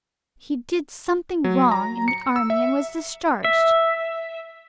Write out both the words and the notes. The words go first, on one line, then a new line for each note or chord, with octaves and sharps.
He did something wrong in the army and was discharged.
F#3
A#5
C#7
E6
E5
E5